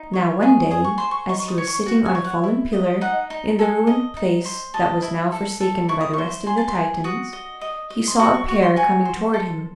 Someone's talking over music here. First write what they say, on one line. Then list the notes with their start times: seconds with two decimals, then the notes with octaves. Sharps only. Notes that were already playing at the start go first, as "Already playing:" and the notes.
Now one day, as he was sitting on a fallen pillar in the ruined place that was now forsaken by the rest of the Titans, he saw a pair coming toward him.
Already playing: D#4
0.13 C#5
0.43 G#4
0.71 G#4 D#6
0.84 C#6
0.98 C5 C6
1.11 C#6
1.29 D#4 C#6
1.39 C#6
1.48 D#6
1.58 C#5
1.67 C#6
1.86 F#4
2.05 G#5
2.15 C#5
2.24 F#5
2.44 E4
2.73 D#5
3.01 D#4 F#5
3.30 D#4
3.59 A4 G#5
3.87 D#5
4.17 D#4
4.45 C5
4.74 D#5 A5
5.02 E4
5.32 A4
5.60 A4
5.89 E4 C#6
6.01 D#6
6.13 C5 C#6
6.46 G#4 C6
6.58 A5
6.68 C6
6.75 G#4
7.04 F#4 D#6
7.33 D#5
7.61 D#5
7.90 D#5
8.07 C6
8.19 F#4 C#6
8.34 C#6
8.48 F#4 C#6
8.62 C6
8.76 F#4 G#5
9.05 C5
9.34 A4